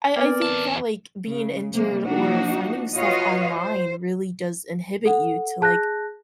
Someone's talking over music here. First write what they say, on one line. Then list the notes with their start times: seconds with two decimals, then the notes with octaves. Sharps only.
I I think that, like, being injured or finding stuff online really does inhibit you to, like,
0.16 B3 C4 A#4 B4 D5
0.42 E2 A5
1.28 C#3
1.73 C3 F#3 A#3
2.05 F3 A#3 D4 D#4 F#4
2.94 F4 F#4 B4 C#5 D#5 F5
3.54 C5
5.05 A4 F#5
5.61 G#4 A5 F#6 G6 A#6